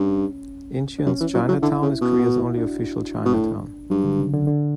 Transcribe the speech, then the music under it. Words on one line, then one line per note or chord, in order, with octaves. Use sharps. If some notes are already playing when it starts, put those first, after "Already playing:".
Incheon's Chinatown is Korea's only official Chinatown.
Already playing: G2 C#4
D4
F#2 C#4
E3
F#3 E4
F#3
D3 E4
C#3
B2
F#4
E4
D4
B2
A2
G2 F#3
D3
C#3
D3
D3